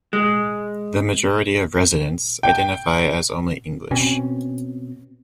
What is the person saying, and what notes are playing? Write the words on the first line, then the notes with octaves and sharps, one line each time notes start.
The majority of residents identify as only English.
G#3
G5
B2 C4 C#4